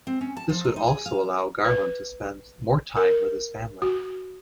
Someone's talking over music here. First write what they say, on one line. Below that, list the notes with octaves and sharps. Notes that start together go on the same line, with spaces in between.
This would also allow Garland to spend more time with his family.
C4
C#4
A5
F3
D#4
D#4
G#4
F5
B4
A#4
F#4